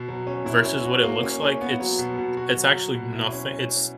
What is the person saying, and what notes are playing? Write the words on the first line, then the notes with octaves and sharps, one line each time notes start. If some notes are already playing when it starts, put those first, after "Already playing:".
versus what it looks like, it's it's actually nothi it's
Already playing: B2
F#3
C#4
E4
C#4
F#4
A#3
C#4
C#4
B3
F#3
B2
B2
F#4
F#3
F#3
B2
E4
C#4
C#4
C#4